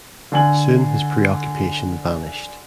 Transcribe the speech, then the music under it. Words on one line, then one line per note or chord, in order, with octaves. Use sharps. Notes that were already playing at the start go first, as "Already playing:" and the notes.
Soon his preoccupation vanished.
D3 G#5 F#7